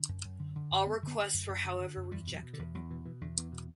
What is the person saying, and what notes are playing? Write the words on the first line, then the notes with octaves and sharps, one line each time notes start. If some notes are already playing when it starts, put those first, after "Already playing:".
All requests were however rejected.
Already playing: D3
F#2
F#2
D3
D3
F#2
F#2 B3
D3 B3
D3
F#2
F#2
D3
D3
F#2
E2 G3
B2
F#3
B2
D3
E2
E2 F#3
B2 E3
B2 E3
E2 D3
E2 E3
B2